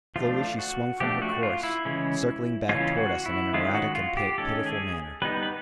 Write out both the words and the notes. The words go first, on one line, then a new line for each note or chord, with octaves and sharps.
Slowly she swung from her course, circling back toward us in an erratic and pitiful manner.
F3 A3 D4 F4
F#4
F3 A3 D4 G4
F#4
F4
E4
C#3 E3 G#3 C#4
C#3 E3 G#3 C#4 F4
F#4
E4
D#3 G#3 C#4 F4
F#4
F4
G4
D#3 G#3 C#4 A4
G#4
G3 B3 D#4 B4
B4